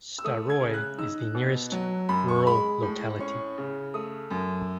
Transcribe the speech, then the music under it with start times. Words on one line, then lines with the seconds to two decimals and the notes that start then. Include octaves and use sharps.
Staroye is the nearest rural locality.
0.18 E6
0.24 A3 D#6
0.50 G#6
0.61 C#3
0.74 F#6
0.98 D#4 E6
1.35 B2
1.72 F#3
2.09 F#2 B5
2.28 C#6
2.47 G#3 B5
2.83 A2
3.20 C#4 C#6
3.58 C#3
3.94 A3 D#6
4.30 F#2